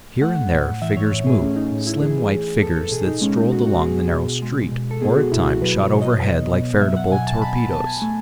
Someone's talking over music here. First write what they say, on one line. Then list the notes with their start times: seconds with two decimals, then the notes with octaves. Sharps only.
Here and there figures moved, slim white figures that strolled along the narrow street, or at times shot overhead like veritable torpedoes.
0.22 A3 F#5
0.52 A2
0.82 E3 E5
0.97 C#5
1.12 A2 C#5
1.27 G#4
1.42 A3 C#4
1.56 D#4
1.72 A2
1.87 E4
2.02 E3 G#4
2.32 A2
2.62 B3 A4
2.77 A4
2.91 B2 G#4
3.07 D#4
3.21 G#3 C#4
3.36 D#4
3.52 B2 F#4
3.67 F#4
3.81 B3 G#4
4.12 B2
4.42 G#3
4.72 B2
4.91 A4
5.01 B3 G#4
5.16 F#4
5.32 B2 E4
5.46 F#4
5.62 F#3 B4
5.82 C#5
5.92 B2
6.02 D#5
6.22 B3
6.52 B2
6.81 F#3 E5
6.96 F#5
7.12 B2 G#5
7.27 A5
7.38 A5
7.42 B2 B5
7.57 A5
7.72 B2 A5
7.87 G#5
8.02 A3